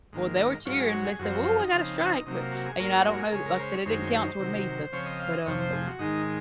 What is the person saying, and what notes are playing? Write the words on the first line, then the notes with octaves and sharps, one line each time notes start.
Well, they were cheering, they said, "Whoo, I got a strike," but, uh, you know, I don't know like I said, it didn't count toward me, so but, um b
G#2 D#3 A#3
G#2 F#3 C#4 F4
G#4
F#4
G#4
F#2 F3 C4 F#4
F#4
F4
D#4
C#3 F3 C4 D#4
D#4
C3 F#3 A#3 D#4
F4
F#4
G#4
G#2 F#3 A#3 C#4 A#4
F#4
F4
F#4
G#4
A#4
C#3 G#3 C#4 G#4
A#4
C5
C#5
F#2 D#3 G#3 C#4 C5
C3 D#3 F#3
C#3 F3 C4 C#5
D#5
F5
D#5
F2 C3 F3 C#5
C5
G#4
F#4
G#2 D#3 G#3 D#4